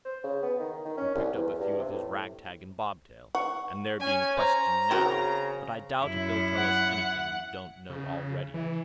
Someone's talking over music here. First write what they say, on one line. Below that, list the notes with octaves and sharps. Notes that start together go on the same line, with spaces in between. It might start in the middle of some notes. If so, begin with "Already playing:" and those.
We picked up a few of his ragtag-and-bobtail, and they're being questioned now, but I doubt if they'll tell us anything we don't know already.
C5
C#3
B3
D#3
D#3
C#4
C2
E2
G2
C3
A2
F#5 C#6
C#4 G#5
C5 A#5
C#3 C4 F#4 A#4
F#2 E4
F#5
C#3
E3